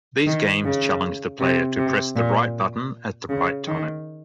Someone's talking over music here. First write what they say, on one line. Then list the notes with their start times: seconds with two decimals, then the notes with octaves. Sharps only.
These games challenge the player to press the right button at the right time.
0.27 D#3
0.65 C#3
1.40 C3
1.78 C3
2.16 A#2
3.29 C#3
3.68 D#3